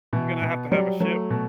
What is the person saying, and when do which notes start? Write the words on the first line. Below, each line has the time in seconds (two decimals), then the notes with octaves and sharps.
You're gonna have to have a ship
0.13 B2 E3 E4
0.42 B2 B3
0.72 F#3 G3
1.00 F#3 A3
1.30 B2